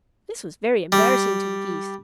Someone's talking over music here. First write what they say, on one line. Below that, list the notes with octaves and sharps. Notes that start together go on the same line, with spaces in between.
This was very embarrassing to the Geese.
G3